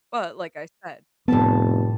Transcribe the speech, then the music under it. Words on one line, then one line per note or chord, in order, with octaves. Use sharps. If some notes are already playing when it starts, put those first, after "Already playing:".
But like I said,
F1 A2 G3 B3 A5